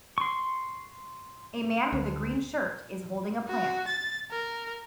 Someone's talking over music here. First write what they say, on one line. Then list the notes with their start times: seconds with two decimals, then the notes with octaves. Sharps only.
A man with a green shirt is holding a plant.
0.18 C6 C#6
1.92 D2
3.48 F#4
3.87 A6
4.31 A#4